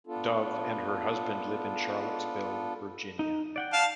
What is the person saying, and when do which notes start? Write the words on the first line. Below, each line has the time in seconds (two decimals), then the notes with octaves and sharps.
Dove and her husband live in Charlottesville, Virginia.
0.07 B3 D4 F4 A4
3.19 D#4
3.56 D5 F#5 G5
3.73 F5 A5